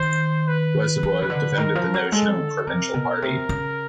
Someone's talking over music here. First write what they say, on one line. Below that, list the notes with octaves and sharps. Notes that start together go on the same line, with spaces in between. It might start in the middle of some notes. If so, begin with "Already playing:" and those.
Lesavua defended the notion of a provincial party.
Already playing: D#3 C5
B4
E3
C#3
D3
D#3 A#4
F3
F#3
G#3 A4
D3
C3 A#4
B2
C3
C#3